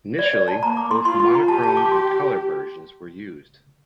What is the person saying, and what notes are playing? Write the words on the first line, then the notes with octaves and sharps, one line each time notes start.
Initially, both monochrome and colour versions were used.
D5
D5
A5
A#3 A#5
D6
C6
F4 C6
C6
A#5
G4 A5
A5
D6
C6